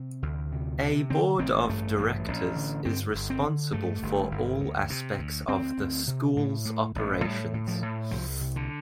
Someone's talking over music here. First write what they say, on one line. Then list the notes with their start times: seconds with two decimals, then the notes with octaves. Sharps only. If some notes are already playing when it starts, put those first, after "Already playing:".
A Board of Directors is responsible for all aspects of the School's operations.
Already playing: C3
0.22 D2
0.52 C3
0.82 C3
1.10 D3 C4
1.39 A1 C4
1.69 G2 A3
1.98 A1
2.28 A1
2.56 D3
2.85 G2 C4
3.15 G1
3.30 C4
3.44 D3
3.73 G2 A3
4.02 G1
4.31 G1
4.60 D2
4.90 C3
5.19 D2
5.49 D2 C4
5.78 D2
6.07 C3
6.37 A2
6.65 A2
6.95 A1
7.24 A2 G3
7.54 A2
7.68 F3
7.82 A2
8.11 C2 F3
8.41 C3
8.56 D3